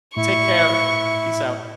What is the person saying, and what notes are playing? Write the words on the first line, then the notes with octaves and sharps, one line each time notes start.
Take care, peace out.
A2 E4 C#6